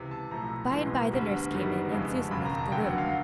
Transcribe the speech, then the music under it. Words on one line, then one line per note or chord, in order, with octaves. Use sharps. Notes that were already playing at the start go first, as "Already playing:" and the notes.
By and by the nurse came in, and Susan left the room.
Already playing: C#2 C3 E3
A5
B1 A2 F3 A3 A#5
B1 A2 E3 G#3 B3 C6
D2 D3 G3 B3
F#1 F#2 D#3 G3 B3
G1 F2 C#3 F3 G#3
E1 D#2 C#3 B5
A#5
A5
F1 F2 D3 F#3 G5
F#5
F5